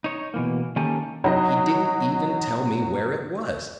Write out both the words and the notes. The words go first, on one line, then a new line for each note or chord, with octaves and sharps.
He didn't even tell me where it was!
D#4 C#5
B2 E3 A#3
D#3 A#3 C#4 G4 A4 G#5
F#3 D#4 D#5